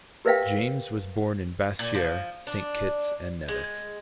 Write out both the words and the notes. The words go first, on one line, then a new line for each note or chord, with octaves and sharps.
James was born in Basseterre, Saint Kitts and Nevis.
G4 A#4 B4 E5 F5 G5
A#2
F3
D4
G#3